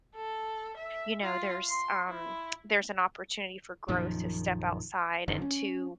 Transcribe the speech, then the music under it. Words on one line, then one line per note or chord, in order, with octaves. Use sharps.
you know, there's um, there's an opportunity for growth to step outside and to
A4
E5
F4
C6
E4
A#1 F#2 D#3 F3
F1 F#2 D3 D#3
C#4